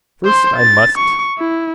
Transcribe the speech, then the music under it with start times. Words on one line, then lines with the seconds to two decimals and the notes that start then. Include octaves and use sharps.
First I must.
0.25 C5 C6
0.57 A6
0.98 C#6
1.38 E4